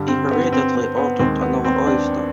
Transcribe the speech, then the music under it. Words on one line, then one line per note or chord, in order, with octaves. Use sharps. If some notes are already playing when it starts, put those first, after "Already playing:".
He hurriedly ordered another oyster.
Already playing: G2 D3 G3
C4
B3
C4
C4
B3
D#2 D#3 G#3 C4
B3
C4
D4